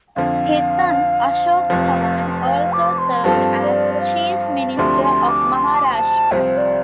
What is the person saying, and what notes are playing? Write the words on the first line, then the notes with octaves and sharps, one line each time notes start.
His son Ashok Chavan also served as chief minister of Maharashtra.
F2 D3 F3 F5
F1 F2 F3
F5
D6
C6
G2 F3 C4 F4 A4 A5
D5
D5
F5
D2 C3 F3 A3 D4 C6
C6
D6
C6
D6
C6
A5
C2 C3 F3 C4 F4 C5
D5